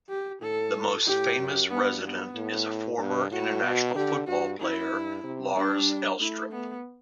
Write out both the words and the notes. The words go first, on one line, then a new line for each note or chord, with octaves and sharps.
The most famous resident is a former international football player Lars Elstrup.
G4
A2 A4
A2 G4
F#2
G2 B3
B3
A2
G2
A2 F#4
B2
D3 G4
G2 F#4
F#2 E4
G2
C3
G3 D4
A3 E4
B3